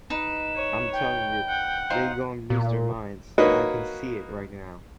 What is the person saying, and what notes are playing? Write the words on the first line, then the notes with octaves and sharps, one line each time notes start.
I'm tellin' you, they gon' lose their minds; I can see it right now.
D#4 B4 E7
C#5
G5
F#5
D#4 F4 C5
A#2
A#3 D#4 F#4 B4 C#5 D#5